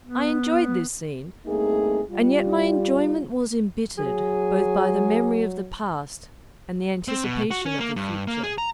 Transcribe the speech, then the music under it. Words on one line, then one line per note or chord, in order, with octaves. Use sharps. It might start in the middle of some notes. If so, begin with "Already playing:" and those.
I enjoyed this scene, and yet my enjoyment was embittered both by the memory of the past and the anticipation of the future.
B3
G2 A3 A#3 C4 D#4 G#4
G3 F4
F#3 G#4
C4
B2
F#4
C#4
A#3
G2
A#3
G#4
A#5